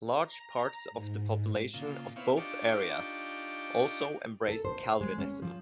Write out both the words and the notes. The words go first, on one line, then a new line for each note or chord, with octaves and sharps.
Large parts of the population of both areas also embraced Calvinism.
A#5
G#2
A#2 C#3 F4
B3 C4 E4 C#5 F5
D4 D#4 F4 G4 C#6 D6
A4
C5
G#3
C#4
F3